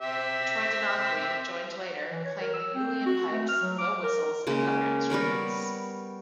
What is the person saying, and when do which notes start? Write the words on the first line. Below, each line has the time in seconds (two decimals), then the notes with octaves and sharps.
Troy Donockley joined later, playing the uilleann pipes, low whistles, and other instruments.
0.01 C4 G4 E5
2.11 E3
2.25 C#5
2.41 A#4
2.54 E6
2.74 C4
3.06 F#4
3.32 A3
3.48 F6
3.62 F#3
3.79 D6
4.03 A#4
4.47 C#3 G#3 A#3
5.10 G3 B3 A#4 C#5